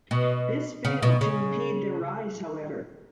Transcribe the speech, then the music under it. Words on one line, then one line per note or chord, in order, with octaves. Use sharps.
This failed to impede their rise however.
B2
C#3
B2
C#3